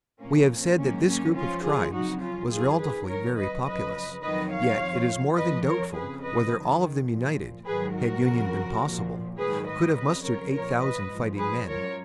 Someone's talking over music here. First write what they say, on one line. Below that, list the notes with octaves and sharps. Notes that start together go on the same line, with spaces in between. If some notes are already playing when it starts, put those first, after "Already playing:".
We have said that this group of tribes was relatively very populous; yet it is more than doubtful whether all of them united, had union been possible, could have mustered eight thousand fighting men.
A#2 F3 A#3 C#4
G#2 D#3 F#3 A#3 C#4
A#3 C#4
F#2 F3 C#4 F4
F4 G#4
F2 C#3 F#3 D#4 F#4
C#4 F4
F#2 D#3 F#3 F4 G#4
G#4 B4
F2 D#3 F#3 A#4 C#5
B4 D#5
F#2 C#3 F3 B4 D#5
F2 D#3 F#3 B4 D#5
C#5 F5
F2 F3
F2 F3 B4 D#5
A#4 C#5
F2 C#3 F3 G#4 B4
B4 D#5
F2 D#3 F#3
A#2 F3
G#2 D#3 F#3 G#4 B4
F#4 A#4
F2 C#3 F3
A#2 F3
G#2 D#3 F#3 G#4 B4
B4 D#5
F2 C#3 F#3 B4 D#5
A#4 C#5
A#2 F3 A#4 C#5
B4 D#5
G#2 F3
G#4 B4
F#2 F3 A#4 C#5